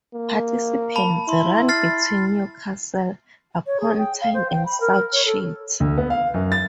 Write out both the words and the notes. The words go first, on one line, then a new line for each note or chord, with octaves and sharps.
Participants run between Newcastle upon Tyne and South Shields.
A#3
A5 B5
E4 C6
F6 A6 C7
C#5
G#4
G5
F5
C5
G5
B5
A#4
C#5
A4
D2
B3
F5
F#2
A6